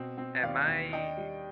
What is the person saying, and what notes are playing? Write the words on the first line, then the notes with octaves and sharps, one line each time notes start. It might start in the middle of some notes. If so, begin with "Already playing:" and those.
am I
Already playing: B2 C4
C4
D#2 D5 F5
D#2
D4 D#5 G5
G3